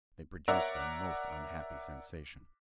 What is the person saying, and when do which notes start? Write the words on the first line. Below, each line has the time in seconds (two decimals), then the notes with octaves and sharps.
They produced a most unhappy sensation.
0.48 A#4 C#5 D5 E5 F#5 A#5